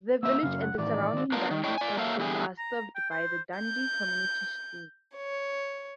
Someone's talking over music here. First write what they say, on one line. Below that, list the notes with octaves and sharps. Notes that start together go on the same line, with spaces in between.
The village and the surrounding Dundee Township are served by Dundee Community Schools.
A#3 C4 E5 E6
F#2 C#3 F5
F#5
A2 D#3 E3 D5
D#3 C4
B3 D4 F4 A#4
D#3
D4 E4 C#5 D#5 G5
D5 G#5
F#3 A#3 A4 E5 F5
E2 D3 G3 G#4
A#5
G5
C5
G6
C#5